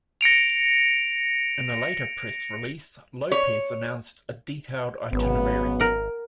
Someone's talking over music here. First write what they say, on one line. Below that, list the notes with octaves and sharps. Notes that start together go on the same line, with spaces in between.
In a later press release, Lopez announced a detailed itinerary.
A#6 C#7 D7 F7
C#5
G#1 C#3 F#3 B3
A#4 F#5